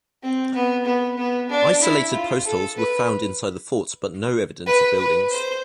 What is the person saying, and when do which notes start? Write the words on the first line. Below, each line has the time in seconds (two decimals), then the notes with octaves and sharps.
Isolated postholes were found inside the fort but no evidence of buildings.
0.22 C4
0.54 B3
0.85 B3
1.17 B3
1.49 D4
1.81 E4
2.13 F4
2.44 A4
2.76 B4
4.66 B4
4.98 B4
5.30 C5